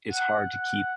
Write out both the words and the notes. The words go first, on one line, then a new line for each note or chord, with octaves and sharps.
it's hard to keep
F#5
F#5